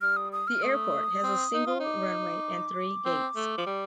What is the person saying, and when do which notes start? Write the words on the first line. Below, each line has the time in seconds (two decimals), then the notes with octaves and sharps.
The airport has a single runway and three gates.
0.02 G3 F6
0.16 D#6
0.33 D#6
0.47 F6
0.63 A3 D#6
1.23 C4
1.54 D#4
1.67 F4
1.80 D#4 D6
3.05 C4
3.36 A3
3.58 F3
3.66 G3